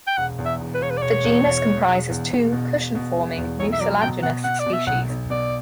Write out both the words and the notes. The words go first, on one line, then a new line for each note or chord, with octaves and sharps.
The genus comprises two cushion-forming, mucilaginous species.
G5
E1 F#5
E2
E5
E1
B4
E1 C#5
B4
D5
E1 C#5
E2
E1
E1
E1
E2
E1
B2
E1
B2
E1
E2
B1 C#5
E5
F#3 D5
B2 G5
B2 F#5
B2 F#5
D5
B2
E5
B1 F#5
B1
B2 D5